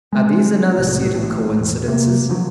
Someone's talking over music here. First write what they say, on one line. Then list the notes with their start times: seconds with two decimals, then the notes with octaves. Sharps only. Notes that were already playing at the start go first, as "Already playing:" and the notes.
Are these another set of coincidences?
0.13 G#3 A#3 C4
0.78 C2 A2
1.14 A1 A2
1.59 E1
1.88 C3 A#3
2.29 D3 F3 F#3